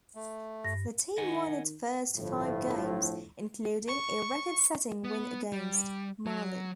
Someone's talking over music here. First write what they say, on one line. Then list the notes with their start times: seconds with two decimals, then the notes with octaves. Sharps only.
The team won its first five games, including a record-setting win against Mali.
0.15 A3
0.64 G2 A#6
1.18 D#3 D#5 F#5 G#5
2.17 G1 A2 F3
3.88 C#6
5.04 B3
5.52 G3
6.26 F#3